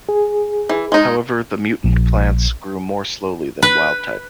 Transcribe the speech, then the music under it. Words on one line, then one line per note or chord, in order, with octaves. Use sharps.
However, the mutant plants grew more slowly than wild-type.
G#4
E3
G#3 D#4
A#1
B4